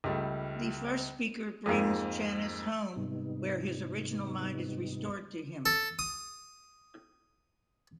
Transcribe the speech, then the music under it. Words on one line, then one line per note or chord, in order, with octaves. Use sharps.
The First Speaker brings Channis "home", where his "original" mind is restored to him.
C#2 G3 A3
F2 G#2 G#3 A#3
G#2 C3 G3 B3 D#4
A4
D#6